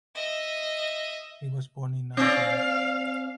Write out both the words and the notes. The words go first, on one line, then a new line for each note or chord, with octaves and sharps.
He was born in Nanjing.
D#5 E5
C4 D5 F5